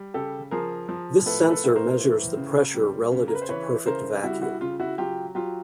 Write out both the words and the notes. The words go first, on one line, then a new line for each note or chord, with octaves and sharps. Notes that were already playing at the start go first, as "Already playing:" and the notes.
This sensor measures the pressure relative to perfect vacuum.
Already playing: G3
C#3 G4 A4
F3 G#4 A#4
F3
A2 A4 B4
A#4
A4 B4
A2
A#4 C5
E3
C#3
G3
C#3
A#4
B4
C5
E3 B4 C#5
C#3 A#4 C5
G3 E4 F#4
E4 F#4
C#3 F4
E4 F#4
F#3 F4 G4
F#3 F4 G4